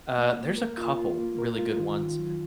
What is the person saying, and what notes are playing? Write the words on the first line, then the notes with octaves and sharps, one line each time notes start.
uh, there's a couple really good ones.
A#3
A#3
A#4
F4
F4
A#3
A#4
F4
D#3
D#3
F#3